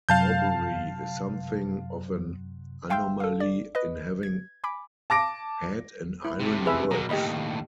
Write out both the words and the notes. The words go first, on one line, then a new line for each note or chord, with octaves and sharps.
Horbury is something of an anomaly in having had an iron works.
F#2 C3 F#3 F5 A5 G6
E5 F5 G5 C6 E6 G6
A4 F5
D5
B4 D#5
G#6
G#5 B5 D6
A5 D6 A#6 D7
E4
C3 A3
G#4 B4 E5
B2 F#3 A#4 A#5
D#2 A2 G4 D#5 B5